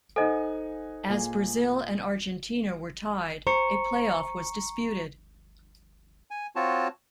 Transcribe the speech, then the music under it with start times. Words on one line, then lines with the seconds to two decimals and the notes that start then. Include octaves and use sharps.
As Brazil and Argentina were tied, a playoff was disputed.
0.16 D#4 A4 C5 D#5 F#5 G#5
1.09 A#2 G#4
3.47 C5 A#5 C#6 C#7
6.31 G#5
6.56 C4 F4 F#4 C#5 A5